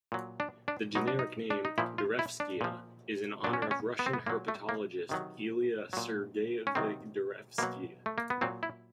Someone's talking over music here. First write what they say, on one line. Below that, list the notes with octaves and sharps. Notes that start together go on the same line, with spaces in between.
The generic name, "Darevskia", is in honor of Russian herpetologist Ilya Sergeyevich Darevsky.
A#2 F#3
D4
D4
B2 F#3 D#4
D4
D#4
D4
D#4
A#2 F3 E4
F4
E4
D4
A#2 F3
A#2 F#3 D4
C#4
D4
C#4
B3
C4
B3
A#2 F#3 A#3
A3
A#3
C3 D#3 F#3
A#2 F#3
C#4
C3 D#3 F#3 C4
B2 F#3 A#3
A3
A#3
B3
A#2 F#3 C4
E4